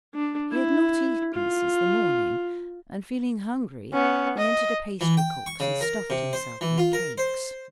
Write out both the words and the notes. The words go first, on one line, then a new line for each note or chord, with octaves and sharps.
He had not eaten since the morning, and feeling hungry he entered a pastrycook's and stuffed himself with cakes.
D4
E4
F4
B3 C#4
D#5
E3
G5
C#6
C#3
A#4
C3
C5
E3
F4
A#4
C5